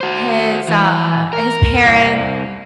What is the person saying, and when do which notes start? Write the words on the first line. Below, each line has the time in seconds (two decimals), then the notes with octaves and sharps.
His, uh his parent
0.01 F#4 C5
0.68 E3
1.33 A#4
1.85 C2